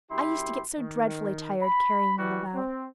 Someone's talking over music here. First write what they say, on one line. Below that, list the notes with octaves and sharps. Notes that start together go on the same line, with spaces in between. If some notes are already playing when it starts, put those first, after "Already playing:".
I used to get so dreadfully tired carrying them about.
F#2 E4 G4 C6
D#3
B5
E3 G3 F#4
C4